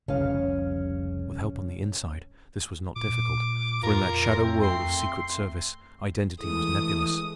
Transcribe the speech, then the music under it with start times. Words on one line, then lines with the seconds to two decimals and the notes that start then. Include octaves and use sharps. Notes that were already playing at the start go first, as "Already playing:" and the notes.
With help on the inside, this was not difficult, for in that shadow-world of secret service identity was nebulous.
0.08 F1 C2 C#3 C#4 F5
2.96 A#2 D6
3.83 F2 F4 A#4
4.38 A3 C4
4.63 C6
6.41 E3 G#3 A3 D#6